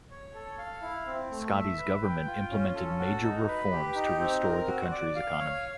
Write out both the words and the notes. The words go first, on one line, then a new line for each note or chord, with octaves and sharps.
Scotty's government implemented major reforms to restore the country's economy.
C#5
A4
F5
E4
C4
A3
E5
B4
G5
F4
C#4
A4
F#4
D#4
B4
G4
D#4
C4
A#4
F#4
D5
F5
C#5